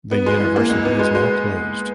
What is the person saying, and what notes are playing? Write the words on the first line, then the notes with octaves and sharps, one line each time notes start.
The university is now closed.
B3
G#3
E3
A#3
C#2
B3
G#3
G#3